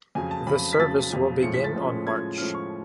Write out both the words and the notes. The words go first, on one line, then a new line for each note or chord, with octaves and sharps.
The service will begin on March.
F2 C#3 F#3 G#5
A5
F2 C#3 F#3 B5
B6
F2 C#3 F#3 A6
F2 C#3 F#3
A2 F3 G#3 C#4 C#7
B6
A6
A2 F3 G#3 C#4
A2 F3 G#3 C#4 G#6
A2 F3 G#3 C#4 F6
C#6